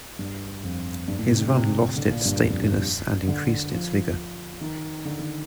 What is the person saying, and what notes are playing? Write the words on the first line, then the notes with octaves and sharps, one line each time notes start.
His run lost its stateliness and increased its vigour.
G2
F2
G2
A2
C3
D3
C3
D3
A#2
G2
F2
G2
D3
F3
D#3
D3
D#3